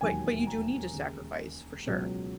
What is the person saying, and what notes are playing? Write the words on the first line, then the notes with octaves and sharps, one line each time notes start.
but but you do need to sacrifice, for sure.
E1 D#2 D#3 F#3 G#5
A#5
D#2 C#3 G#3
C#2 B2 F#3